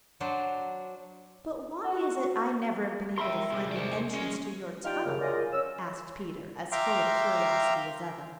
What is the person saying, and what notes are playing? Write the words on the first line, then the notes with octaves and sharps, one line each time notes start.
"But why is it I never have been able to find the entrance to your tunnel?" asked Peter, as full of curiosity as ever.
F#3 D4 C5
F#4
A#4 E5 G5 B5 C6
C3 D#3 G#3
C5 D5
G#3 C#4
D#4 F4 G4 D5 G5 F6
F#2 C#3
F#3 F4 G#4 A#4 D5 D#5
C#4 E6
E5 F5 G5 A#5 C6 D6